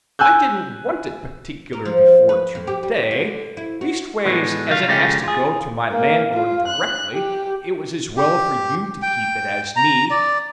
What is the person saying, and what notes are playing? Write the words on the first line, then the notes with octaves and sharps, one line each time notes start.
'I didn't want it particular before to-day; leastways, as it has to go to my landlord directly, it was as well for you to keep it as me.
G#5 E6 F#6 G6
A#4
F3
B4
F2
G4
G3
D3
E4
F#4
A2 D3 E3 G#3 B3
C2 F#3 G3 F4 F#4 F5
C#3 F3 G#3 A3 C#4 G4
F4 G#4
A#3
F4
F#6
G4
G4
G5
A#5
D5